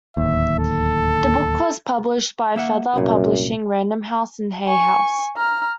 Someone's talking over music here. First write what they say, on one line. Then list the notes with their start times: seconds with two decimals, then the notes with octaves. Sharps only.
The book was published by Feather Publishing, Random House, and Hay House.
0.17 D1 D#2 E5
0.59 A4
2.56 A#3 E5 F#5
2.96 C2 F#2 A#2
4.66 G#5 C#6
5.36 A#5 F6